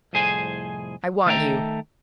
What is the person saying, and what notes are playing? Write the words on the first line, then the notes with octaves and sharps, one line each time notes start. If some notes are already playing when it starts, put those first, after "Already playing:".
I want you.
C2 F2 A2 G#4 C5 G#5
D#3 A3 A4 C5 G5 A#5